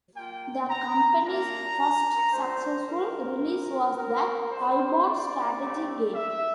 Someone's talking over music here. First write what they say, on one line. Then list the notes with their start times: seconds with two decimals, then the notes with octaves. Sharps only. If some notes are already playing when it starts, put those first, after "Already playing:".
The company's first successful release was the "Highborn" strategy game.
0.15 A#3 F4 G5
0.70 A#5
1.24 A#3 D4 F4 A#5
2.33 A3 D4 F4 C5
2.88 A#4
3.42 G3 C4 E4 G4
3.97 A#4
4.51 A3 D4 G4 C5
5.06 D5
5.60 A3 C4 G4
6.14 E5